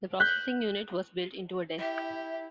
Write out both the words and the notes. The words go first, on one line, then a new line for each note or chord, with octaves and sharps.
The processing unit was built into a desk.
F#6 G6 B6
E4 G4 E5